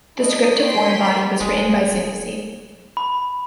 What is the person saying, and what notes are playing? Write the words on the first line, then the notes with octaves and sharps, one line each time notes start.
The script to "Foreign Body" was written by Zanussi.
D4 E4 D#5
C#5 G5 C6 B6
D1 G#3 G#4
B5